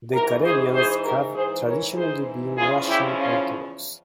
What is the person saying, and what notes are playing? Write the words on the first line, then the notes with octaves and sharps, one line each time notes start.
The Karelians have traditionally been Russian Orthodox.
G#2 E3 G4 A#4
G#4 C5
G#4 C5
G4 A#4
G#2 E3 G#4 C5
A#4 C#5
G#4 C5
E2 C#3 F3 F4 G#4
E4 G4
C#4 F4